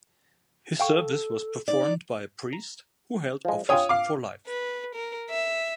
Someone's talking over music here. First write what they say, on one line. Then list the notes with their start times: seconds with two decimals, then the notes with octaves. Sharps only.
His service was performed by a priest who held office for life.
0.80 A4 F5 G5 C#6
1.68 D#4 D5
2.53 A#5
3.45 F3 G#3
3.69 F4 C#5 G5 G#5 D#6
3.89 F5 D6
4.47 B4
4.95 A#4
5.30 E5